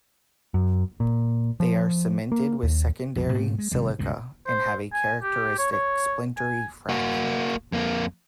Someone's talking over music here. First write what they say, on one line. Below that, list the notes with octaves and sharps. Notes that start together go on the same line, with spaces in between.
They are cemented with secondary silica and have a characteristic splintery fracture.
F#2
A#2
F3
A#3
D#2
A#1 F2
G#2 B2 A3 B3
G#3
G#1 C3 G3 G#3
C#2 G2 B2
C5
G#5
G4
C#5
C#5
G#5
A#3 F#4
F2 A#3